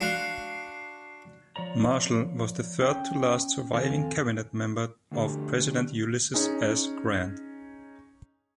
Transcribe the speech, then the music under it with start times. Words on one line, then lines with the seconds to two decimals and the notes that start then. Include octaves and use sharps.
Marshall was the third to last surviving cabinet member of President Ulysses S. Grant.
0.01 D4 F#4 F5 C6
1.56 F3 C#5 D5 A#5
2.81 C#4 G5
3.73 F2 D#3 C4 A4 F5 G#5
5.11 D2 D3 G3
6.34 C#4 D#4 G#4